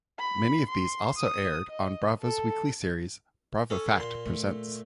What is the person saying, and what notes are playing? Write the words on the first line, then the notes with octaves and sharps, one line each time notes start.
Many of these also aired on Bravo's weekly series "Bravo!Fact Presents".
B5
C6
D#6
D#5
A4
C#4 A4 C#5
A#2 C6
A3